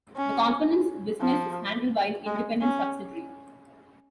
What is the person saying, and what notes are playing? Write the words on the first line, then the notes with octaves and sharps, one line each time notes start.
The components business is handled by an independent subsidiary.
C#4
F3
G#3
C#4